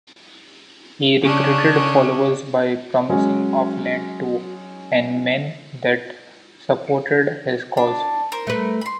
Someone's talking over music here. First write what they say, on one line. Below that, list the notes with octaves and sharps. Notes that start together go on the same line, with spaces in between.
He recruited followers by promising of land to any man that supported his cause.
C#3 C#4 D4
F#3 G#3 C#4
D4
A#4 C5
A3 B4
B5 C6